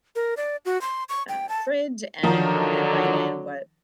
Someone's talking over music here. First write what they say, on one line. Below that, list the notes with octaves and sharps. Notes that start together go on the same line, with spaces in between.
uh, fridge, and we kinda write in what
A#4
D5
F#4
C6
C#6
G5
A5
D3 D#3 F3 F#3 D#4